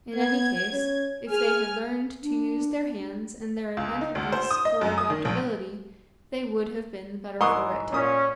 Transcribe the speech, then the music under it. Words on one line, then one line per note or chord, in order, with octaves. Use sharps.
In any case, if they had learned to use their hands and their inventiveness or adaptability, they would have been the better for it.
B3 G#6
C#4
G#4 G#5 F6
D4
C#2
D#4
D2
C5
D#6
D#5
F#2
D#6
D#3
A#1
G#2 E3 C6 C#6 D#6
A#2 C#4 D#6